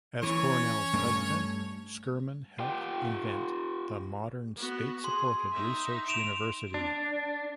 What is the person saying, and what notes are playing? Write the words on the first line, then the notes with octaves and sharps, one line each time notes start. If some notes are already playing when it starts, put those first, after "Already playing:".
As Cornell's president, Schurman helped invent the modern state-supported research university.
E3 C#4 C#5
G2 A3
F4 G4 G5
B3 F#4
G#4 C6
D#4 E5
D7 E7 F7
D4